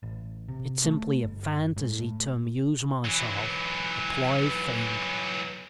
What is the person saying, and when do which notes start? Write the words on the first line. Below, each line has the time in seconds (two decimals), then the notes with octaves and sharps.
It's simply a fantasy to amuse myself; a plaything!
0.03 A1
0.48 C3
0.84 A3
1.24 G1
1.76 G#2
1.99 A2
3.05 E3 F#3